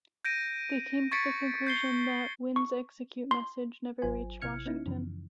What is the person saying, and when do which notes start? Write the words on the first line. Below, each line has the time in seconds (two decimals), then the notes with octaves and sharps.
They came to the conclusion that "winds execute" message never reached Washington.
0.25 G6 A#6 D7 D#7
1.12 C#6 G#6 A6 B6 C#7 D7
1.67 G6 C7 G7
2.56 C#6
3.31 C6
4.02 G#1 F#3 F4 C5 G#5
4.42 A1 C3 E4 F6 G#6 C#7
4.66 B3 C#4 D#4 E4
4.86 F#2 C#3 E3 F3